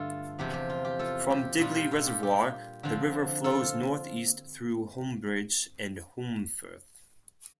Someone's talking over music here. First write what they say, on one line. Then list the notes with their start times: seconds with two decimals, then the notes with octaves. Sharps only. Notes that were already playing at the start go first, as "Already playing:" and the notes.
From Digley reservoir, the river flows north east through Holmbridge and Holmfirth.
Already playing: G2 D3 A3 F4 A4
0.39 E2 C3 F3 G4
0.53 G4
0.70 F4
0.85 G4
0.99 F4 A4
1.30 G4
1.59 A#2 G3 D4 F4
1.76 G4
1.91 F4 A4
2.07 G4
2.23 G4
2.83 D3 F3 C4
3.44 F4 A4